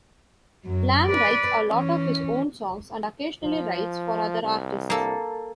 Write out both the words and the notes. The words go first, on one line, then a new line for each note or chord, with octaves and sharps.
Lam writes a lot of his own songs and occasionally writes for other artists.
F#2 F#3
B4 D5
E3 C#4
F3
C2
A#3 A4